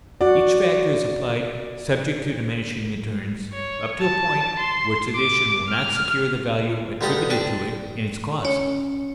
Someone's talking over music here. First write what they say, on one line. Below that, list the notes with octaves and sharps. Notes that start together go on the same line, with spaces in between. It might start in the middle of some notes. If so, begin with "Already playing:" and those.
Each factor is applied, subject to diminishing returns, up to a point where its addition will not secure the value attributed to it in its cost.
F#4 D5 F#5
C#5
A5
C6
D6
F6
D2 G2 D#4 G4 D5 D#6
D4 D5 G5
C#4